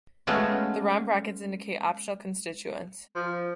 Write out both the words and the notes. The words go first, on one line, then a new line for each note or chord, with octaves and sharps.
The round brackets indicate optional constituents.
G#3 A3 B3 C#4 F4 F#4
F3